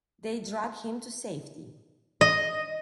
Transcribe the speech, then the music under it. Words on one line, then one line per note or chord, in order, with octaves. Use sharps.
They drag him to safety.
D#5